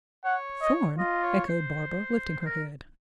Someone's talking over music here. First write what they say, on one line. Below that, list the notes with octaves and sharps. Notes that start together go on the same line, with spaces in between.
"Thorn!" echoed Barbara, lifting her head.
C#5 F#5
D#5
F4 D#5
C#5
C5
C5
A#4